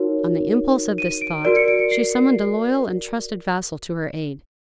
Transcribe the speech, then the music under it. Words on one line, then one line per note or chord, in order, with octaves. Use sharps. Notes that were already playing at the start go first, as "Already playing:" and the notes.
On the impulse of this thought she summoned a loyal and trusted vassal to her aid.
Already playing: D#4 F#4 A#4 C#5
D#7
D7
F#4 A#4 D5 D7
C#7
D7
C#7
C7